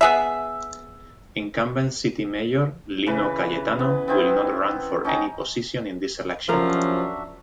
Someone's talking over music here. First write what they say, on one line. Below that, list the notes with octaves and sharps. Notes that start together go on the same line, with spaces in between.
Incumbent city mayor Lino Cayetano will not run for any position in this election.
B3 G#4 E5
C#3 E3 B4
B3
B3 C4 E4 A#4
C#4 D#4 G5 A#5
C3 F3 F#3 C#4 D4 F#4 A#4 E5